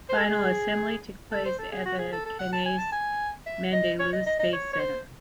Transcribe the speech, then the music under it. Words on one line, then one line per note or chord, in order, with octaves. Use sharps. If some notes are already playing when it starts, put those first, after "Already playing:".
Final assembly took place at the Cannes Mandelieu Space Center.
C5
A4
G#4
A4
C5
A4
G#4
F#4
G#4
A4
A4
F#5
A5
G#5
A5
G#5
E5
D#5
C#5
D#5
D#5
D#5
C#5
C#5
C5